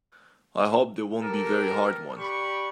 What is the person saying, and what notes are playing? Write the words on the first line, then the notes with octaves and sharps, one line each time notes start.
I hope they won't be very hard ones.
G4 A4 A#4
D4 G4 B5 C#6